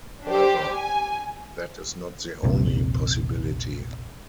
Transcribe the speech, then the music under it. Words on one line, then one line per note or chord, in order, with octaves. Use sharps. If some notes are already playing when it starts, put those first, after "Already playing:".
However, that is not the only possibility.
D4 G4 C5
G#5
E1 A#1 C3 A#3